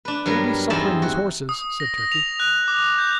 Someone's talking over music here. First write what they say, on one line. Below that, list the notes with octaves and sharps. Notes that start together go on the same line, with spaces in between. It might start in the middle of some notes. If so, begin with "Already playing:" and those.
"He'll be suppering his horses," said Turkey.
D4 B4
G2 F#3 B3 A#4
E2 C4 D#4 D#5 A5 B5
F#4
D#6
A#6
A#6
F7
F#6
D6
G6